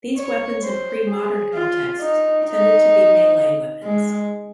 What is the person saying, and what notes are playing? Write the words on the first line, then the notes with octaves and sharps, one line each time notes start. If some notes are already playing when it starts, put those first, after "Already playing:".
These weapons in pre-modern contexts tended to be melee weapons.
C#5
C5
G#4
F4
D#4
D#4
G#3